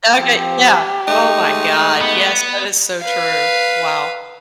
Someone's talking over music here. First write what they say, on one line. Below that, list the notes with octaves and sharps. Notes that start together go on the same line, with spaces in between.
Okay. Yeah. Oh my god. Yes, that is so true. Wow.
F3 C4 G4
G#3 A3 D#4
B3
B4 F5